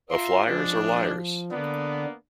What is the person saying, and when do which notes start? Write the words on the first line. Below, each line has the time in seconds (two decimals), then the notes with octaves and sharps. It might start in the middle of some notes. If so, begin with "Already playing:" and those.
A Fliers or Liars?
0.11 F4 E5 A#5 C6
0.46 F3 G#3 D4
1.52 D3 A#3 B3 D4